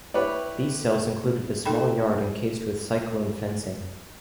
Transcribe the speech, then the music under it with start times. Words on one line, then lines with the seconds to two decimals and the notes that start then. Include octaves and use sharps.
These cells included a small yard encased with cyclone fencing.
0.14 E4 G4 B4 C#5 D5
1.65 D#4 A4 G5 B5